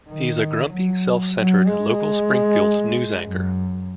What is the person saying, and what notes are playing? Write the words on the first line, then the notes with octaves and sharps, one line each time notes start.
He is a grumpy, self-centered local Springfield news anchor.
D#3
F#3
F#3
G#3
F#2